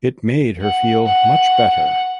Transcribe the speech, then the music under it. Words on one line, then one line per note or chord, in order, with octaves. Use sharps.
It made her feel much better.
F#5
F#5